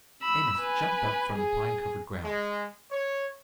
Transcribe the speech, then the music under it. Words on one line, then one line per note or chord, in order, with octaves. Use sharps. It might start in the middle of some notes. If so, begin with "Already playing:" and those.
Amos jumped up from the pine-covered ground.
B5 E6
B4 G#5
G#4
G#3
C#5